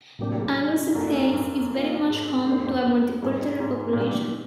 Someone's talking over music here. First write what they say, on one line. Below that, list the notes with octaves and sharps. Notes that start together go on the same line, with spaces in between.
Anglesey is very much home to a multicultural population.
A2 C3 F#3 A#3 D4 G4
G#2
G2
F#2 A#3 D4 F#4 A4
F2
G2
F#2
A#3 D4 F4
G#2
G2
A#3 D4 G4 C5
F2
F#2
G2
G#2 G3 C4 D#4 G#4 C#5
G#2
A#2
B2 G3 A#3 D4 G4